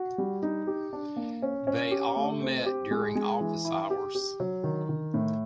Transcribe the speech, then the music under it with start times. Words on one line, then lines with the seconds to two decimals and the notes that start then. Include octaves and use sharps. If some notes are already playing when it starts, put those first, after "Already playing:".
They all met during office hours.
Already playing: F#4
0.18 G3
0.43 D#4
0.67 G4
0.93 D4
1.16 A#3
1.42 C#4
1.67 C#4
1.91 G4
2.16 A3
2.41 C4
2.66 G4
2.91 G#3
3.16 G#3
3.41 E3
3.65 E4
3.90 G4
4.15 G4
4.40 F#3
4.64 D#3
4.89 D#3
5.14 A2